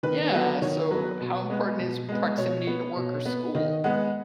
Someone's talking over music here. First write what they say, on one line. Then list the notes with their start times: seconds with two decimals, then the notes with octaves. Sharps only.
Yeah, so how important is proximity to work or school
0.03 D#3 B4
0.32 F#3 B3
0.62 D#3 C#5
0.91 F#3 B3 B4
1.20 B2
1.50 G#3 B3
1.79 B2
2.09 G#3 B3
2.37 B2 C#5
2.67 B3
2.96 B2
3.26 B3
3.55 D#3 D#5
3.84 G#3 B3 F#5